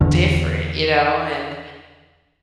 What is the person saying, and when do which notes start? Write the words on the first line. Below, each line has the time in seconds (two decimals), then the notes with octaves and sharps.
different." You know? And
0.01 E2 D3